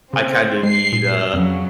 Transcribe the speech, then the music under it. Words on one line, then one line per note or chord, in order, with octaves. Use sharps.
I kinda need, uh,
C#3 C4
G#3 C7
A#2
F2 C#3 F#3